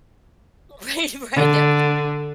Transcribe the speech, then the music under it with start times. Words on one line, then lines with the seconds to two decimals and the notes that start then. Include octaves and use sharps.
Right, right. Their
1.36 D3